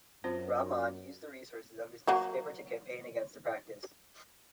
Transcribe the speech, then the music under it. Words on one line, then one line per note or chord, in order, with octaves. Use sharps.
Rahman used the resources of his newspaper to campaign against the practice.
F#2 C4 F4 C5
F#3 A#3 F#4